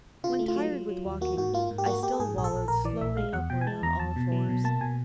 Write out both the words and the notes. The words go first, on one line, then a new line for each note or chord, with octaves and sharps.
When tired with walking I still wallowed slowly upward on all fours.
C#3 F4
A3
F4
F#3
F#3
F#3
D#2
A#3 F#4
G#2 F#4
A#3 F4
G#2
G4
A#3 F#4
A#3 G4
A4
G#2 G#4
A#1 G#4
A4
A#1
A#1 A#4
E3 D5
A#1 E5
G#3 F5
E2 F#5
B2 G5
G#5
G#3 A5
E2 A#5
E2 A5
B2
F#3
B2
A#3 A5
B2 G#5